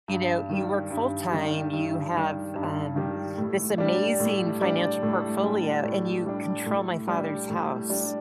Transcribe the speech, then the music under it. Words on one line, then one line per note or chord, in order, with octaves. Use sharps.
you know, you work full time, you have, um, this amazing financial portfolio, and you control my father's house.
G2
D#3 G3
G2
D#3 G3
G2
D#3 G3
G2
D#3 G3
A2
G3 D4
A2
G3 D4
A2
G3 D4
A2
G3 D4
A2
G3 D4
A2
G3 D4